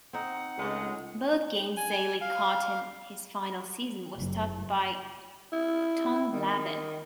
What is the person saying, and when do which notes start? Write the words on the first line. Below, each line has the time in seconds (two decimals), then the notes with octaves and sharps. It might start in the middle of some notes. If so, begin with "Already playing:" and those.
Both games Zeile caught in his final season were started by Tom Glavine.
0.13 C4 D#4 F#5
0.58 C#2 G#3 A3
1.77 G#5
2.21 F5
4.16 F#1
5.53 E4
6.33 D#3